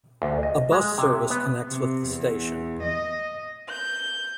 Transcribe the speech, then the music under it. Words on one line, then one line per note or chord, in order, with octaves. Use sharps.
A bus service connects with the station.
D2
D#5
G#3
C3
E5
B3
C3
E2
D#5
G6